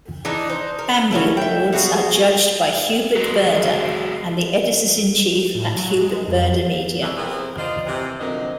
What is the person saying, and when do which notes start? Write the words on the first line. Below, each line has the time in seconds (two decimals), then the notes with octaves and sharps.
Bambi awards are judged by Hubert Burda and the editors-in-chief at Hubert Burda Media.
0.25 E3 D4 D#4
0.49 D#4 C5
0.79 A#4
1.11 E3 C#4 E4 A4
1.37 E5 G5
1.73 G3 B3 F#4 G#4
3.17 F#3 G#3
5.55 A2
5.76 F#3
6.01 G#3
6.28 F2
7.02 F2 E3
7.17 C3 E3 B3 C4 G#4 A#4
7.58 F4 A#4 C5 D5 D#5
7.87 C3 E3
8.20 F#2 D3 F3 A#3 C4 D#5